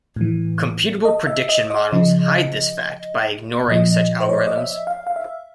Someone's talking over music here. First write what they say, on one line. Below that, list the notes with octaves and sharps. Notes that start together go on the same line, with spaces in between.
Computable prediction models hide this fact by ignoring such algorithms.
A2 E3
D#5
E5
D#5
D#5
C#3 F3
A#2 F3 D#5
C5
C#5
D5
D#5
E5
F5
F5
E5